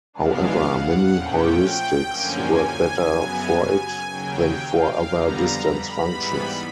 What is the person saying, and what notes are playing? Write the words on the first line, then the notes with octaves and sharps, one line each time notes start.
However, many heuristics work better for it than for other distance functions.
C#3 E3 G#3 B3 D4 F5
F#5
A#2 F3 A3 C#4 G5
F#2 D3 F3 A#3 C#4 G#5
F#2 C#3 F#3 B3
G#5
D#2 C#3 F#3 G5
F5
F2 D3 G3 B3 A#5
B5
G#2 E3 G3 B3